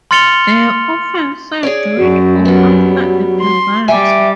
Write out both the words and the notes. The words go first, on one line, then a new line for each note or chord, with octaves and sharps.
They are often served with or after a dessert.
C6 F6 A6 C#7 F7 G7
G#4 C#5 D5
F#2 F#4
F#3 G3 B3
C6
G3 E5 G5 G#5 D6